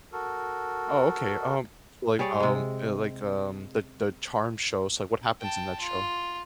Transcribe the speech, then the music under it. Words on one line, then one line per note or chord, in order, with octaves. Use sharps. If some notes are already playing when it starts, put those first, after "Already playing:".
Oh, okay, um, like, um, uh, like, um, the the charm show, so, like, what happens in that show?
F#4 A4 A#4
G3 G#4 C#5 D5
C3 G#3
G5 A5
F4